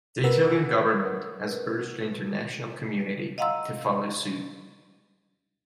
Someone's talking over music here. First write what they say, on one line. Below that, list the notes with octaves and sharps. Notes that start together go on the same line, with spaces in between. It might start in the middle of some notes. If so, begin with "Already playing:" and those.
The Italian government has urged the international community to follow suit.
A#4 B4 F#5 E6
D#5 F5 F#5 A#5 C6 E6